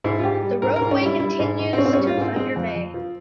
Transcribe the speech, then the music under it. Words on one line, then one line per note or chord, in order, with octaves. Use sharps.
The roadway continues to Thunder Bay.
G#2 E4
F4
G#2 G4
G3
G#2 A#4
A#4
G#2
C#4
G3 E4
G3 E4
G#2
G#2
C4
G#2 C#4
C4
G3 C#4
F4
G#2 C4
G#3 C4
F2
F2
F3